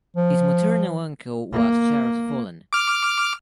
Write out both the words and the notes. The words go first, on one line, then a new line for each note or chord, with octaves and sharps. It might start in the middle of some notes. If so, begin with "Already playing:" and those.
His maternal uncle was Charles Follen.
F3
A#3
D6 F6